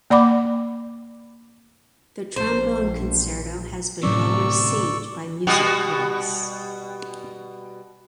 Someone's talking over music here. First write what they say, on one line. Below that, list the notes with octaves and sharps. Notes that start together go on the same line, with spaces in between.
The Trombone Concerto has been well received by music critics.
A#3 D5 F#5 B5 D6
A#1 C5
D2 A2 C3 F#3 C#4 D5 C#6 E6
B2 G3 F#4